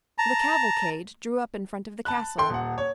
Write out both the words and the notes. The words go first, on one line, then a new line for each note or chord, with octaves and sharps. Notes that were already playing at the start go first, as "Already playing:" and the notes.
The cavalcade drew up in front of the castle.
A5 A#5
A5 B5 F#6
A4 G5 C6
D#1 F#5
C#5